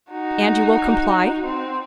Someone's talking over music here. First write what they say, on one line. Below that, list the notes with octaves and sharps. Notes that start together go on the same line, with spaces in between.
"And you will comply?"
D#4 F#4
C4